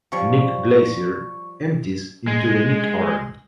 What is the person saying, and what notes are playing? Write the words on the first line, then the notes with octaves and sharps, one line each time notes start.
Knik Glacier empties into the Knik Arm.
F3 G3 C#5 C#6
G#3